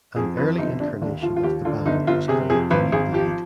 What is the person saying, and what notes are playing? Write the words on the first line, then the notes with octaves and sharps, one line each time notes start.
An early incarnation of the band was called the New Breed.
F2 G#4
F2 B4
G1 D#4
G1 D4
D#2 D4
F3 F4
F4
D#2 G4
D3 F4
G1 D#4
G1 F4
C3 G#4
F2 G#4
G#1 B4
G#1 G#4
F3 G4